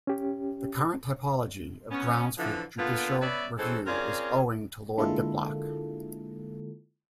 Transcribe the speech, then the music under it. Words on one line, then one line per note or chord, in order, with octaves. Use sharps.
The current typology of grounds for judicial review is owing to Lord Diplock.
C#4 G4
B3 C#4
D3 E3 F3
A#2 D3 B3 F4
B3 C#4 B4 D5 E5
E3 G#3 C4 C#4 A4 C5
C4 C#4 F4 G#4 A#4 D5
D3 G#3 A#3 E4 F4 A4